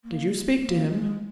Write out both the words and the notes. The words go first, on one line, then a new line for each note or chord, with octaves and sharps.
"Did you speak to him?"
A#3
A#3
G#3